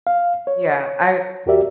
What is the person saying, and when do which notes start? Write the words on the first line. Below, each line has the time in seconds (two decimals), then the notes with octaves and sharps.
Yeah. I
0.07 F5
0.47 C#5
1.46 E2 F#4 G4 A#4 D5 E5